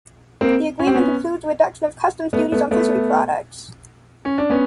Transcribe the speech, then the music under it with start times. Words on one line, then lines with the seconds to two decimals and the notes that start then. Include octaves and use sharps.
The agreement includes a reduction of customs duties on fishery products.
0.41 A#3 C4
0.79 C#4
0.87 C4
0.95 B3 C#4
2.33 A3 B3
2.52 A3 B3
2.71 A3 B3
4.25 C#4
4.38 D4
4.50 B3 C#4